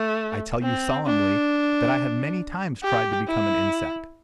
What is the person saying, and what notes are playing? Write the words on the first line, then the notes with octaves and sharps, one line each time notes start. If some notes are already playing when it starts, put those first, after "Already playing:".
I tell you solemnly, that I have many times tried to become an insect.
Already playing: A3
C4
D4
G4
E4